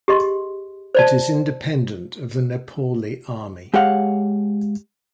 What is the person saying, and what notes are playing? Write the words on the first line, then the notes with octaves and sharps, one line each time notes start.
It is independent of the Nepali Army.
G4 G#4 D#5 C6
C5 D5 A5
G#3 G4 C#5 F5 F#5